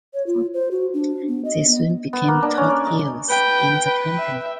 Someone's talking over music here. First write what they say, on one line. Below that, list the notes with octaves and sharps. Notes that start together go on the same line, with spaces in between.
They soon became top heels in the company.
C#5
F4
C5
F#4
D4
B3
D#5
B3
B3
A#3
D4
C#4
D5
D#5
B4 G5
B4
E5